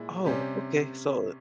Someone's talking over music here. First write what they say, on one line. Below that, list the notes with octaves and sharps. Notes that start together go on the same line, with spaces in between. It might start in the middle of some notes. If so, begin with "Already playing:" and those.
oh, okay, so it
Already playing: A#2 G#3 E4
C3 G3 C#4 G4